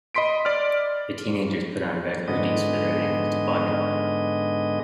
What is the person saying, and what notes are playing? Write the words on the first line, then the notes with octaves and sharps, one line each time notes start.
The teenagers put on red hoodies for their annual toboggan run.
D#5 B5 C6 B6 D7
D5 F6
G#2 D3 G#3 B3 D#5